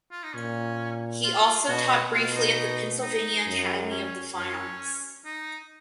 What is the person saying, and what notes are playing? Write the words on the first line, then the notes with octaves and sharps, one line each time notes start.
He also taught briefly at the Pennsylvania Academy of the Fine Arts.
F4
D#4
A#2 C#4
F4
B2 F#4
B2 F4
D#4
D#4
F#2
C#4
F#2 C#4
D#4